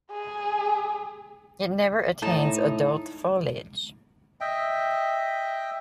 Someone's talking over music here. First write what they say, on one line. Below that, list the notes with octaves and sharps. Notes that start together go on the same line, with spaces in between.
It never attains adult foliage.
G#4
A2 D#4 A5
D#5 E5 G5